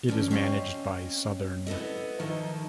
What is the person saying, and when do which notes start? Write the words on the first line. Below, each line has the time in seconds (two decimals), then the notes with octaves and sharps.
It is managed by Southern.
0.08 D3 E3 C#4
0.31 C4 C#4 D#5 F5
1.67 B3 E4 A4 D#5
2.20 D#3 F3 D#4 E4